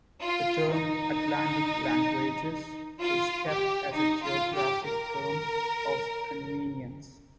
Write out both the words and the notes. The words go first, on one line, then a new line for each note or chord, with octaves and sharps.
The term "Atlantic languages" is kept as a geographic term of convenience.
F4
D#4
F4
G4
D#4
F4
G4
A#4